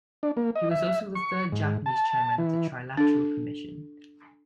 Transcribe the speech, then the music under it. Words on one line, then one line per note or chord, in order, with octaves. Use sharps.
He was also the third Japanese chairman of the Trilateral Commission.
D4
A#3
D#5
E5
C#6
G#2
A5
E3
D4 A4